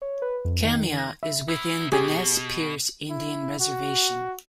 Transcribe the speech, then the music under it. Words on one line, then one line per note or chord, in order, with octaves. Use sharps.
Kamiah is within the Nez Perce Indian Reservation.
C#5
B4
F2
D#3
A#6
E5
B3 E4
B2 G4 G#4 G#5
E4
F#4